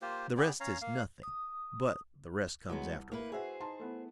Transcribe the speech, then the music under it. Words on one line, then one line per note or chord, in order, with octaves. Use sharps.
The rest is nothing, but the rest comes afterwards.
A#3 F4 G4 C5
B3 G4 G#4 D5
C#4 C#5 F5 A#5
A#3 F5
D#6
C2 F#3 G#3 B3
A#3 E4 B4
F#4 G#4 C5 E5 F#5
D#4 A5 C6
A3 B3 E4